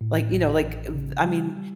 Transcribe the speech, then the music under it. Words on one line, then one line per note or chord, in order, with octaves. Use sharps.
Like, you know, like, eh, I mean,
A2
A1
A1
C#3
G3
G3